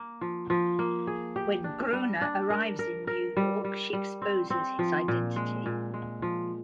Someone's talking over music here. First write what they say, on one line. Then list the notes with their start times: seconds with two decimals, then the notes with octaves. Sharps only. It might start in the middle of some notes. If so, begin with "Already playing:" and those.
When Gruner arrives in New York, she exposes his identity.
Already playing: A#3
0.21 F3
0.50 F3
0.79 A#3
1.07 G#4
1.36 G4
1.64 D4
1.93 G3
2.21 D4
2.50 A#4
2.79 A#4
3.07 A#4
3.37 G3
3.65 G3
3.93 G3
4.22 C4
4.50 C4
4.79 F3
5.08 A#2
5.36 G#3
5.66 A#2
5.94 G#3
6.22 F3